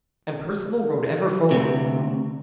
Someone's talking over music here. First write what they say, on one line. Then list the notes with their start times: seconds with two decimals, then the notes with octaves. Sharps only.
And Perceval rode ever forward.
1.51 D2 C3